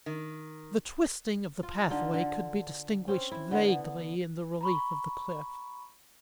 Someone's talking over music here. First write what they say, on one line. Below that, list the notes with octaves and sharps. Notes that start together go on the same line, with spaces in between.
The twisting of the pathway could be distinguished vaguely in the relief of the cliff.
D#3
F4
D3 D#4 F4 A4
D3
C4 C#4
E4
D3 B3
A#5 B5 C#6